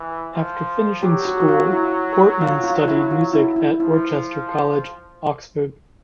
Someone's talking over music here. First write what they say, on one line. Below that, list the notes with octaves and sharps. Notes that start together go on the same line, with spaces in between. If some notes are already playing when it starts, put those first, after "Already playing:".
After finishing school, Portman studied Music at Worcester College, Oxford.
Already playing: E3
F3
F#3 G4
F#4
F#4
F4
E4
F4
F4
E4
F4
E4
E4
F3 E4